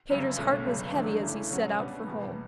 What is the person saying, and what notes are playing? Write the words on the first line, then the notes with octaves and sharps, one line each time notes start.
Peter's heart was heavy as he set out for home.
G1 F#2 C#3 G3
B1 B2 A3 C#4
G1 F#2 C#3 G3
E2 D3 F#3 A3 D4
E2 C#3 E3 A3
B2 F#3 C#4 F#4
B2 G3 B3 D4
E2 B2 G3